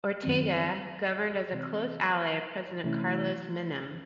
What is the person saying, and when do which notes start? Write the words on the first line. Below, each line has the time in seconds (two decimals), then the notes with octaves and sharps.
Ortega governed as a close ally of President Carlos Menem.
0.23 F#2 D#3 F#3 C4
1.52 C3 E3 C4
2.84 C3 E3 A3 C#4 E4